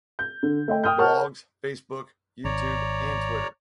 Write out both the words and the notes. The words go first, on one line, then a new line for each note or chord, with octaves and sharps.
Blogs, Facebook, YouTube and Twitter.
G6
D3
A3 D#5 G5
G5 D#6 F6 G6
A#4 C#5 F#5 A5 C#6 F6
G#1 C#5 D5 A#5